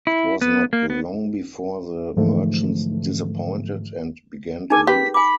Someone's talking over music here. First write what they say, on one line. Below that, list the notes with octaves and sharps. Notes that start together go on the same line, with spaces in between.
It was not long before the merchants disappointed and began to leave.
E4
B3
A#3
B3
G#2 D3 E3 F3 A3
D#4 G#4 A#4 G#5
G4 B4 B6
G#5 B5 D6